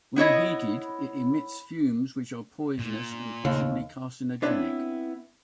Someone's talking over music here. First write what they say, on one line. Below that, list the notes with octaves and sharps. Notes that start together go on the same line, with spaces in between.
When heated, it emits fumes which are poisonous and possibly carcinogenic.
B3 E4 C#5 D#5
A#2
D#2 C#3
B3 C4 D4 E4 B4 C#5